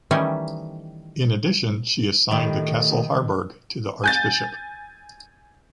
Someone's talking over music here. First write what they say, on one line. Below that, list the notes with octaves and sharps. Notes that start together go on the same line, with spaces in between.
In addition she assigned the castle Harburg to the archbishop.
D#3 E3 G3 A3 C#4 D#4
A2 D#3 G4
G#5 G6 A6